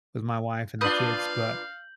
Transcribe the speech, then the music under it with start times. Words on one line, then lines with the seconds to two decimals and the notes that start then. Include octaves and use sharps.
with my wife and the kids. But
0.81 A#3 D4 F4 B4 F5 D#6 G6 F#7